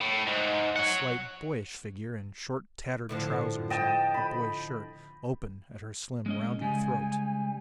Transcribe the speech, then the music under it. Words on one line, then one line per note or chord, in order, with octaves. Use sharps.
A slight, boyish figure in short, tattered trousers and a boy's shirt, open at her slim, rounded throat.
A2
G#2
C#5 F#5
A2 D3 F3
D#5 G5 A5
B5
G#3 C#4 D#5
C#3 G3 G#3 G#5